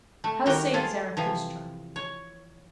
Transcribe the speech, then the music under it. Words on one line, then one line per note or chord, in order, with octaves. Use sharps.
How saith Zarathustra?
A3
D#3 G3 F#4 A#4 G5
F4 G#4 A4
C3 E3 F3
C#5